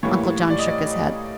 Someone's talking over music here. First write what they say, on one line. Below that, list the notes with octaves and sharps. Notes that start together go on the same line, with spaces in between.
Uncle John shook his head.
A2 E3 G3 A#3 C#5
D5
D#5
D5